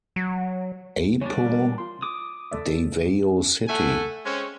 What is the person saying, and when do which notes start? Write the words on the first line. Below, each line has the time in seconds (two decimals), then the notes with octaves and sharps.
Apo, Davao City.
0.16 F#3
1.21 E3 G3 D4 C#5
1.46 A#4
1.78 F4 C6
2.02 D6 D#6
2.52 A4 D5 E5
3.67 A3 A4 E5 F#5 G#5
4.25 G#3 C4 C#4